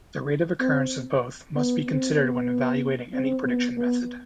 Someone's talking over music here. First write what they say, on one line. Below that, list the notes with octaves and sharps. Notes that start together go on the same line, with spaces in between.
The rate of occurrence of both must be considered when evaluating any prediction method.
C4
B3
C4
B3
C4
B3
B3